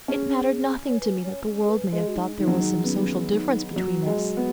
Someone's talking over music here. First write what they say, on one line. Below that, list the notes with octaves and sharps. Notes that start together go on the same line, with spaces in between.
It mattered nothing to me that the world may have thought there was some social difference between us.
C#4 G#4
C#5
B4
C#5
G#4
B4
G#3 B4
G#4
F#4
D#4
D#3 D#4
F#3
D#3 C#4
D#4
B3 C#4
D#4
C#4
D#4
G#4
F#3 F#4
G#3
B3